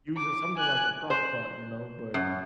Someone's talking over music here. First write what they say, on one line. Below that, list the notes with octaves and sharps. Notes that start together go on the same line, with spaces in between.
use it something like a crock pot, you know, but
D6
G#5 F#6
C5
F#2